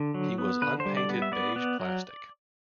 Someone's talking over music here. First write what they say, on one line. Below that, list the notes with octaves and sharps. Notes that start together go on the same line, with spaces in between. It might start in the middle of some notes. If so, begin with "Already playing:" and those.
He was unpainted beige plastic.
Already playing: D3
F#3
B3
D3 B4
C5
G3
D5
B3
E5
B3 D5
B3
F#3